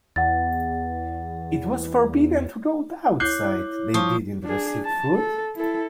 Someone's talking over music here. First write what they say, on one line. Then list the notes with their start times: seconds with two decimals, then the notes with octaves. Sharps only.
It was forbidden to go outside, they didn't received food.
0.16 E2 F#5 A6
3.20 E4 C#5 D6 F#6 G6 C7
3.94 F3 C#6 D#6
4.44 D4 G#4
4.84 A5
5.15 A4
5.56 E4 A4